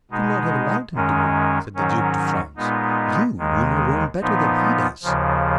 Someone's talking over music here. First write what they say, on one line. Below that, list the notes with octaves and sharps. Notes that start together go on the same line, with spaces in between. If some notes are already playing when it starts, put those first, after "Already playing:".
"You should not have allowed him to go," said the duke to Franz; "you, who know Rome better than he does."
B2 G#3 D#4
F#2 D#3 G#3 C#4
G#2 D#3 F#3 C#4
A#2 G#3 B3 D#4
D#2 D#3 G#3
A#2 F3 B3 D#4
D#2 C#3 F3